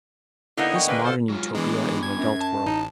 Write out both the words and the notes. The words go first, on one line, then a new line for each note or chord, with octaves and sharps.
This modern Utopia is an adult world.
D3 A#3 B3 D#4 E4
D#5 G5 C#6
D3 G#3 A#3 B4
F4 A4 C5
F#3 G#3 F4
E3 G#3 B3 D4
G#6
F#2
A5
A1 D#4